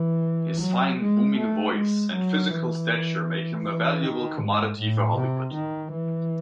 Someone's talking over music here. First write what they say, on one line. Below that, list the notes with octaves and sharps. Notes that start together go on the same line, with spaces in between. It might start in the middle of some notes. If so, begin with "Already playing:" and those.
His fine, booming voice and physical stature make him a valuable commodity for Hollywood.
Already playing: E3
F#3
G#3
A3
G#3
F#3
E3
E3
D#3
G#2
A2
C3
D#3
E3